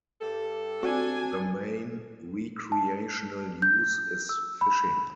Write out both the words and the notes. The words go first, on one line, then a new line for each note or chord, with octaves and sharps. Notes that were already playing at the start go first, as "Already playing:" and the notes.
The main recreational use is fishing.
G2 G3 A4
C4 D4 F#4 G#5
A5
G6
E6
B5